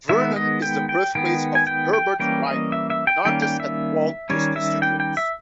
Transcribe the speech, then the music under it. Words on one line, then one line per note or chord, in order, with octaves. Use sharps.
Vernon is the birthplace of Herbert Ryman, an artist at Walt Disney Studios.
D#3 G#3 B3 E5
D#5
G5
G5
D#3 G#3 B3 G5
G#5
G5
G5
E3 G3 A#3 C#4 G5
D#5
E5
E5
G5
D#3 G3 A#3 C#4 G5
G5
E5
D#3 G3 C#4 C#5
E5
G5
G5
E5